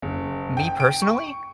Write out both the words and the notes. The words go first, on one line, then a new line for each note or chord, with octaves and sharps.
me, personally?
F#1
G5
D7
C#6